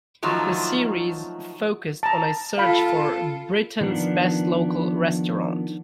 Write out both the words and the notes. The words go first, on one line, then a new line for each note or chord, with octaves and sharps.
The series focused on a search for "Britain's best local restaurant".
D#3 F3 F#3 A3
A5 A#5
F4 A4 F5 B5
D#3 F3 B3 D4